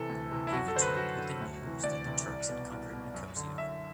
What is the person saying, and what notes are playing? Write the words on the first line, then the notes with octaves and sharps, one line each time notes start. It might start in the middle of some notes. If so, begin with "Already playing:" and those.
He returned with the news that the Turks had conquered Nicosia.
Already playing: C3 E3 A4
D2
C3 E3
E4
F#2 F#4
A4
D3 C5
B4
F#2 F#4
D3
D2
C3 E3
D2 D5
C3 E3
C2
B2
C2
B2
F#2
D3
F#2 E5